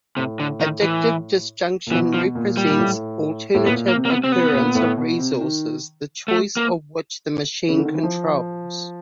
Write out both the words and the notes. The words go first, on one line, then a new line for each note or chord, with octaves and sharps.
Additive disjunction represents alternative occurrence of resources, the choice of which the machine controls.
A2 C3
D3
D#3
E3
A#2
B2 E3
F3
B2
A#2
G3
A#2
A2
A2
A#2 B3
A#3
C3
A#3
B3
C3 C4
B3
A#2
A2
B2
C3
D#3
A3
A#3
C#3
D3
D#3
E3
F3